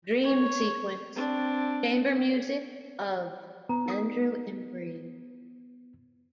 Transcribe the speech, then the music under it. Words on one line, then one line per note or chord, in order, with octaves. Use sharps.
"Dream Sequence - Chamber Music of Andrew Imbrie".
C#5
C4 D4
B3 A#5
D#4 A#4 D#6